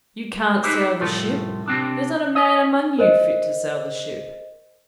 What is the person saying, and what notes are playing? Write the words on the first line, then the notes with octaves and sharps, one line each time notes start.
You can't sail the ship--there's not a man among you fit to sail the ship.
D#4 E4 G4 B4 C5
C2 F2 A2 A3 F4
C3 C4 D4
D#5
A#4 C5 D#5